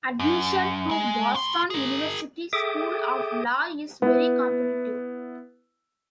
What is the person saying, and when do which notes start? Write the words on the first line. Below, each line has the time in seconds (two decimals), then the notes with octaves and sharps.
Admission to Boston University School of Law is very competitive.
0.19 F#2
0.91 G#3
1.35 A2 C6
1.70 G#4 A#4
2.53 G#4 A4 E5 G5 D6 D#6
4.02 B3 E4